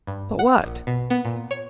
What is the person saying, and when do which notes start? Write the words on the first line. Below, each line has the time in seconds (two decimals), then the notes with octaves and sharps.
But what?
0.07 G2
0.39 F#5
0.65 A#1
0.87 B2
1.10 B3
1.25 A#2
1.51 C#5